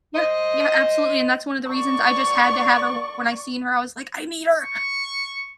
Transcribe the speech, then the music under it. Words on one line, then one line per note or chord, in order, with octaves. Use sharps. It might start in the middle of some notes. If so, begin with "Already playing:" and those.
Yeah. Yeah, absolutely, and that's one of the reasons I just had to have her when I seen her, I was like, "I need her.
C5 D#5
D5 C#6
C#6